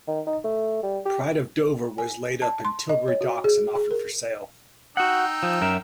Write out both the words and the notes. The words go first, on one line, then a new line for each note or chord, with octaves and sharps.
"Pride of Dover" was laid up in Tilbury Docks and offered for sale.
D#3
D#4
A3
G3
G4
G#5
A5
C6
D#5
C#5
F#4
G#4
G#4
A#4
D#4 F#4 F#5 G5 E6
F3
F#2 A#4 E5